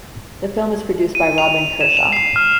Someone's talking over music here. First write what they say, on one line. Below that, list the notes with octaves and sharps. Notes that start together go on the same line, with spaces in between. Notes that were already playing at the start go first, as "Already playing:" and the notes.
The film is produced by Robyn Kershaw.
D#7
F7
E7
F7
C7
F6